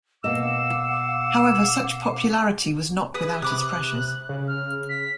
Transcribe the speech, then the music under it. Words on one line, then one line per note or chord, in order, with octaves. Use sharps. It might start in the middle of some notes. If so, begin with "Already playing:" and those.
However, such popularity was not without its pressures.
B2 A#3 D#5 F5 F#5 D6 E6
G#4 B4 D#6
C3 B5 D6 D#6 F#6
C#3
F6
B6